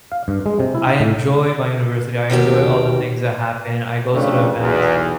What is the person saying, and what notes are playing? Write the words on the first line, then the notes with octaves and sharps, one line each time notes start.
I enjoy my university, I enjoy all the things that happen, I go to the events,
F5
G2
G#3
C3
E4
D#4
A2
D#2 B2 D#3 G4
F2 C#3 A3 D4
B1 E2